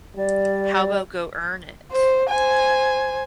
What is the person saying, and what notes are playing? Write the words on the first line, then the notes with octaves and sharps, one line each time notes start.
How about go earn it?
G3 D5
C5
C5 G#5